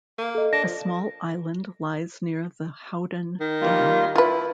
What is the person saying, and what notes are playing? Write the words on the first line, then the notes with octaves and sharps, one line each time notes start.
A small island lies near the Howden Dam.
A#3
A4 D#5
D4 A#6
F3
D#3
G3 A#3 F4
E4 F4 B4